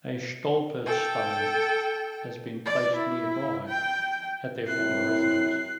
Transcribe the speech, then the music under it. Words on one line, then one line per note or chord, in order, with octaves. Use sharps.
A "stolperstein" has been placed nearby at their former residence.
A4 G5
D5
E4
G5
F#2 C3 E4 F#6 C7